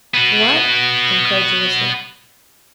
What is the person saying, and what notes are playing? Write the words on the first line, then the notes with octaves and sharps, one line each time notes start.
"What!" incredulously.
B3 F#4